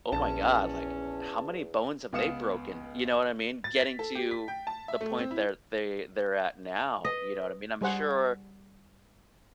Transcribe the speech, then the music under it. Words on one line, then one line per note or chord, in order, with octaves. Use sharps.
"Oh my god," like, "How many bones have they broken," you know what I mean. Getting to the point that they they're at now, you know what I mean, I'm sure,
A#1 E2 C#4 A5
C#2 B3 F5 D#6 C#7 E7
A6
B6
A4
G4
B6
G5
A5
E5
A3
C4
E4
B4 D#5
G3 G#4 C5 F#5